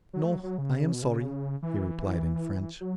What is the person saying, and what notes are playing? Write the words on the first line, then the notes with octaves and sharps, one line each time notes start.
"No, I am sorry," he replied in French.
F#3
A3
F#3
F#3
C#3
B2
C#3
E3
F#3